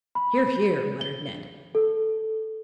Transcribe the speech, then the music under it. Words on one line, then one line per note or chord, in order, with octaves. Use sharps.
"Hear, hear!" muttered Ned.
B5
G7
A4